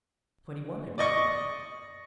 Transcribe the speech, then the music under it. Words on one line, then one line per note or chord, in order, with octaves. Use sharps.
"Twenty-one, I believe."
D5 D#5 C#6 D#6